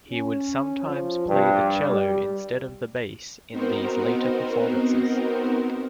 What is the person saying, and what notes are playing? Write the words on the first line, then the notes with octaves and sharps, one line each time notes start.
He would sometimes play the cello instead of the bass in these later performances.
C#4
F3
G2
G3
B3 C4 D#4 F#4 A#4 C5